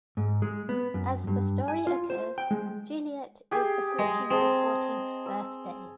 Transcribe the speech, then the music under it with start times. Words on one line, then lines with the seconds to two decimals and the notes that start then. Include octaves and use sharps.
As the story occurs, Juliet is approaching her fourteenth birthday.
0.17 G#2
0.42 G#3
0.69 B3
0.94 F#2
1.27 G2
1.68 G#5
1.87 F4
2.10 C5
2.38 G5
2.51 G#3
3.51 G4 G#4
3.99 G#3 D#5
4.31 C4 G#4 D#5 A5
5.26 E6